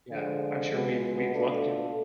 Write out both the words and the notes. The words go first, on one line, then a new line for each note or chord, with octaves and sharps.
Yeah, I'm sure we'd we'd look and,
D3 F3 G#3
C#2 B2 G#3 B3
B2 A3 D4 F4 A4